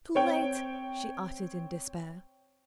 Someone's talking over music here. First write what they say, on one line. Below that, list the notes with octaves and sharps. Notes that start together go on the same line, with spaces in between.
"Too late," she uttered in despair.
C4 C#5 G5